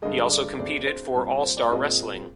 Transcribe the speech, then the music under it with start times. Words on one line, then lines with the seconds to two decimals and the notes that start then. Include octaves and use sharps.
He also competed for All-Star Wrestling.
0.02 G2 D3 G#3 D#5
0.30 D5
0.59 D2 D3 G#3 C4 D5
0.87 C5
1.15 A#2 G3 C4
1.44 C5
1.57 D5
1.71 A#2 G#3 C4 D#5